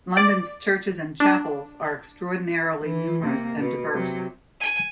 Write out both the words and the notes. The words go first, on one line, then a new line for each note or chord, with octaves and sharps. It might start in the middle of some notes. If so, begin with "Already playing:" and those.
London's churches and chapels are extraordinarily numerous and diverse.
D5
D4
E3
C3 A#3
B2
C3 F#3
G#5